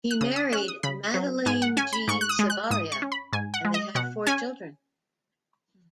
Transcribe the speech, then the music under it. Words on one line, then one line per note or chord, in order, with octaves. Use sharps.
He married Madeleine G. Savaria and they had four children.
F#6
C#3 D#6
D#6
C#4 F#6
D#6
C#3 B5
F#3
G#2 G#5
F#5
C#4 G#5
B5
G#2 C#6
F#6
D#6
G#3
F#6
G#2 D#6
C#6
C#4
B5
G#2 G#5
F#5
G#3
D#5
B2 F#5
C#4 G#5